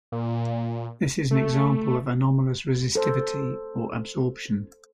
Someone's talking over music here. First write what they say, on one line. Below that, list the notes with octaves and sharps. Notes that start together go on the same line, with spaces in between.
This is an example of anomalous resistivity or absorption.
A#2
A3
A4 C5